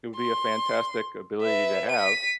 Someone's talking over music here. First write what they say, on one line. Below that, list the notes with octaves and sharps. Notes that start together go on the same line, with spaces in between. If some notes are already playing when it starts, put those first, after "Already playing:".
It would be a fantastic ability to have.
C6
B4 E5
B6 D#7